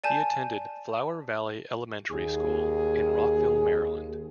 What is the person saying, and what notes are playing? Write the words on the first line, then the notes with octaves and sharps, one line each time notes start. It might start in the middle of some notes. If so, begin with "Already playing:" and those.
He attended Flower Valley Elementary School in Rockville, Maryland.
D5 G#5 A5 G6
D#2 G#4